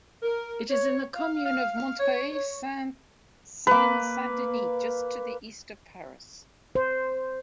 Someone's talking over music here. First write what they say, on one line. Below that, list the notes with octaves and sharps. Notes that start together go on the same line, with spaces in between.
It is in the commune of Montreuil, Seine-Saint-Denis, just to the east of Paris.
A#4
C#5
F5
F5
F5
C#5
C#5
A#3 B4
C5